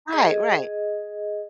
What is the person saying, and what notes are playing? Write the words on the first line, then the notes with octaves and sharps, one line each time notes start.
Right, right.
G#4 D#5